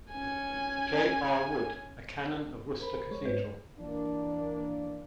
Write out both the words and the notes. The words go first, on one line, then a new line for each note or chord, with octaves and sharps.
J. R. Wood, a canon of Worcester Cathedral.
C#4 G#5
A#4 C5 B5
G#3 C#5
G#2 B4 C5
E3 A#3 D4